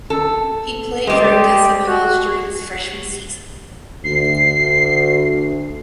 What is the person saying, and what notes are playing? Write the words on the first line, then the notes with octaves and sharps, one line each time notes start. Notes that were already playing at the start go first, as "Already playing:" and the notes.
He played for Odessa College during his freshman season.
A4
G3 G#3 G4
F#4
D2 C7